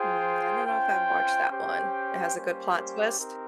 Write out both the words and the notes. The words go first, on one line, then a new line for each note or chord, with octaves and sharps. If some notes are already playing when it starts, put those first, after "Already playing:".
Hmm, I don't know if I've watched that one. It has a good plot twist?
Already playing: F4 G#4 C5 G5
C#4 F4 C5 G5
C#4 G4 C5 G5
G3 A#3 C#4 G4 C5
C4 D#4 G4 A#4